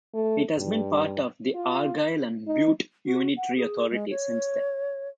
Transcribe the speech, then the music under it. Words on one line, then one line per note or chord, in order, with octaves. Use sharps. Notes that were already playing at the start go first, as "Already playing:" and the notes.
It has been part of Argyll and Bute unitary authority since then.
A3
G2
F4
D#4
F#4
F#5
G#4
G#3
C#5